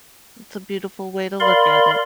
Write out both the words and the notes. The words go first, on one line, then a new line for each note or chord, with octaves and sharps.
It's a beautiful way to look at it.
A#4 D5 F5 B5 C6